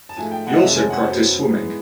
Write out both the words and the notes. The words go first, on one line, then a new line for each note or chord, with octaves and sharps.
He also practiced swimming.
A5
G#2 F3 A3 G#5
G5
F#5
D#5
F2 C3 D#3 G#3 C#4 E5
G#5
F#5
F#2 D#3 F#3 B3 C5
G#2 E3 G#3 B3